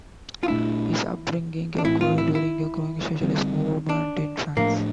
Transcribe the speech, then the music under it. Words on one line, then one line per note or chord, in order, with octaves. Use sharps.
His upbringing occurred during a growing socialist movement in France.
F4
A#2 A3 D4 E4
D4
A2 E3 A3 C4 E4
F4
E4
E4
D3 G3 C4
D4
A2 F3 A3 A#3 D4